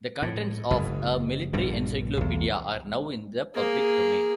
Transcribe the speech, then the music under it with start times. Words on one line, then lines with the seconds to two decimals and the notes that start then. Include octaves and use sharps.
The contents of "A Military Encyclopedia" are now in the public domain.
0.22 A2
0.71 F#1 G#2
1.53 A#1 G2 B2 D3
2.17 B1 E2
3.55 A#3 G#4